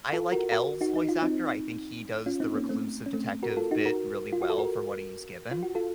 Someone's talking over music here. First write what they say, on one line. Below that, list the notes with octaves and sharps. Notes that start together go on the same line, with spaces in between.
I like L's voice actor, I think he does the reclusive detective bit really well for what he's given.
F4 A4
F#4 A#4
F#4 A#4
D#4 F#4
D#4
F4
C4 D#4
C#4 F4
C4 D#4
A#3 C#4
A3 C4
C#4
A3 C4
F#4 A#4
F4 A4
D#4 F#4
F#4 A#4
F4
F#4
A4
F#4 A#4
F4
F#4
F4 A4